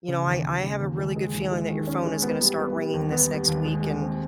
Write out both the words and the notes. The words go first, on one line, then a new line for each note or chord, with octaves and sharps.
you know, I I have a really good feeling that your phone is gonna start ringing this next week, and
C#3
D#2
D#2
C#3
D#2
G#3
G#3
D#2
G#3
D#3
C#4
G#3
B3
G3
B3
G3
D#2
B3
G3
D#2
G#3
G#3
C4